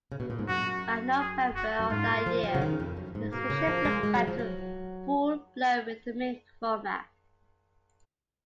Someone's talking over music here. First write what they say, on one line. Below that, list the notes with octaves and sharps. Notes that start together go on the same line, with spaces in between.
By November of that year, the station flipped back to a full-blown Rhythmic format.
C#3
B2
A#2
G#2
F#2 F#4
G#4
F#4
F#2
G#2 F4
A#2
F3
F3
C#3
D#3
F2
F#2
G#2
B2 A#3
C#3
F3
G#3
G#3
F#3
F3
F#3